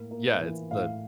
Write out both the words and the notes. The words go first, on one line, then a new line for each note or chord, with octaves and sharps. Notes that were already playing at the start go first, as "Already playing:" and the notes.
Yeah, it's the
Already playing: A2 A#3
A#3
E3
A2 F5